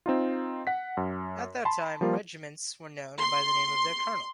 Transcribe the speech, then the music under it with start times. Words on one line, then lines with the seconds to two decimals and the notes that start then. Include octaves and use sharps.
At that time, regiments were known by the name of their colonel.
0.06 C4 D#4 F4
0.67 F#5 B6
0.97 F#2
1.65 A5 B5 C6
2.01 F3 G3 A#3 F4 A#4
3.20 C6